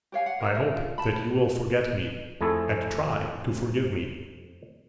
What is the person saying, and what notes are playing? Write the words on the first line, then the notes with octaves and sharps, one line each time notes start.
I hope that you will forget me, and try to forgive me.
G4 C#5 F5 G#5
F#5
A#4 C#5 E5
A#4 C#5 E5
F4
A5 B5
F2 A3 E4 G#4 A4